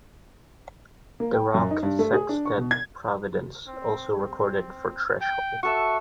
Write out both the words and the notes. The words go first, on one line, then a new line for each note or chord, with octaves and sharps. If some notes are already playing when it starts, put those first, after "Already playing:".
The rock sextet Providence also recorded for Threshold.
A#3
G5
F#2
D#4
G2
A3
G#4
D4
C#6
B2
G#6
C4
C4
G5
F#4 A4 E5 C#6